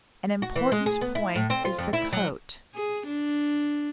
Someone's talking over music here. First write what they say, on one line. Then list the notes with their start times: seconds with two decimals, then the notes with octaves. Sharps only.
An important point is the coat.
0.42 F#4
0.56 E3
0.72 G#3
0.86 G#4
1.01 B3
1.15 E4
1.35 A2
1.50 C4
1.65 F4
1.78 F2
1.93 E4
2.13 F#3
2.75 G#4
3.07 D4